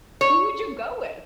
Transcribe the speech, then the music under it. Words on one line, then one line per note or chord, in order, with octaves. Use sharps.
Who would you go with?
C#5